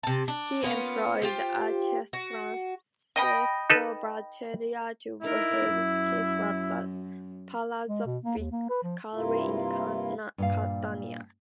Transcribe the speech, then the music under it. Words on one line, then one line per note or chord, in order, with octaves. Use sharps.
He employed the architect Francesco Battaglia to refurbish his Palazzo Biscari in Catania.
C3 A5
D4
A#3 B3 C#4 F4
F4 G4 C5
F#4
D#5 G5 B5
D#4 A4 B4
D#4 E4 A#4
F#2
G#3
B2
A#3
D#2
A#3
B4
F3
G2 C3 A#3 E4 F4
G2 A#2 F5